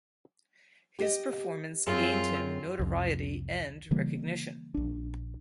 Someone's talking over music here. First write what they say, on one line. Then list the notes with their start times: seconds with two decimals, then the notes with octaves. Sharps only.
His performance gained him notoriety and recognition.
0.99 G4 D#5
1.87 F#2 C4 F4 G#4
2.79 C2 F2
3.91 C#3 E3 G3 A#3
4.74 A#1 D4